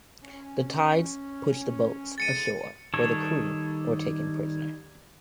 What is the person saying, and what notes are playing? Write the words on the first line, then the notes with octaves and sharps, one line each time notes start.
The tides pushed the boats ashore where the crew were taken prisoner.
C#4
D3 E3 G#3 A6 C#7 D#7
D#3 G3 A4 C#5